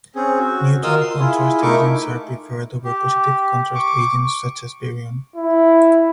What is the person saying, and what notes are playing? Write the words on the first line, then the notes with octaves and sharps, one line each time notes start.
Neutral contrast agents are preferred over positive contrast agents such as barium.
C4 C#4 G#4
F#4
F4 A#4 D#5 F5 D#6 E6
C6
E4 F4 G#4
A3 D#4 E4 A#4 C#6 D6
G4
C#6 D6
E4